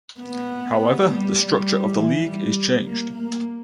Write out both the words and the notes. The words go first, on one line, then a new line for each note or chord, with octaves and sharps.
However the structure of the league is changed.
B3
G3
G3
E3
G3
A#3
A#3